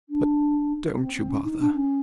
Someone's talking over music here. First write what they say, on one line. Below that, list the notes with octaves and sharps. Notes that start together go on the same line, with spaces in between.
But don't you bother.
D4
C4
C4
C#4
D#4
D4
C#4